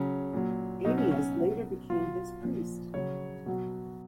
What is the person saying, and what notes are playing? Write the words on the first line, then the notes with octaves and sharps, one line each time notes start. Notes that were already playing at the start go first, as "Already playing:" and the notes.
Anius later became his priest.
Already playing: C#3 F#3 C#4
A#2 F#3
B2 F#3 D#4
C#4
C#4
B2 F#3
B2 F#3 F4
A#2 F3
C#3 F#3 C#5
B2 F#3